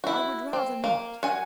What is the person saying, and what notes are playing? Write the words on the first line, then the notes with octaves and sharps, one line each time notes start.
I would rather not.'
E4 F#4
C4
A#3
F#4 G#5